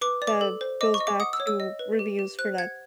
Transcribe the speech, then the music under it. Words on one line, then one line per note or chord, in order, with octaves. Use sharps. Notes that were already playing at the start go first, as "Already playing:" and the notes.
that goes back to reviews for that
B4 D6
D5
D6
A4
C5
D#5 D6
C#6
D#5
D6
F#5 D#6
E6
C#5
E6
D#5
B4
G4
G4
C5 F#6
F#5 G#6